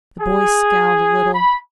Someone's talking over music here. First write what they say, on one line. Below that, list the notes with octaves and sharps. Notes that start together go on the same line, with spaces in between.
The boy scowled a little.
G#4
B5